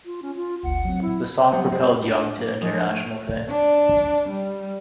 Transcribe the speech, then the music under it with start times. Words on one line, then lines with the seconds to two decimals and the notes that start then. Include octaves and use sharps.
The song propelled Young to international fame.
0.06 F4
0.22 C#4
0.37 F4
0.63 G1 D2 F#5
0.85 F#3 C4
1.02 E4
1.51 F#3 G3 B3 C5 F#5
1.71 G3 G#3 C4 G4 G#4 C5
2.02 D4
2.38 A#3
2.61 F3 G#3 D4 A#4 C#5
2.89 A3
3.49 D4
4.29 G3